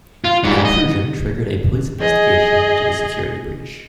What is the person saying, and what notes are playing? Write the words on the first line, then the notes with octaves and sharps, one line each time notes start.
The intrusion triggered a police investigation into the security breach.
F4
G#2 G3
D#5
G#4 D#5